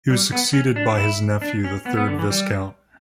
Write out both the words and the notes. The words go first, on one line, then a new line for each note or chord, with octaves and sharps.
He was succeeded by his nephew, the third Viscount.
G3
B3
C#4
D4
E4
D4
C#4
B3
B3
D3
E3
G3